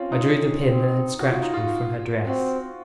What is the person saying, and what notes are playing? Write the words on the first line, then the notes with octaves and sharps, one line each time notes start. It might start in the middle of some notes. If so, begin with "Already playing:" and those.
I drew the pin that had scratched me from her dress.
Already playing: C4 C#4 F4
D#4
C4
F#4
F4
D#4
F4
C4 F#4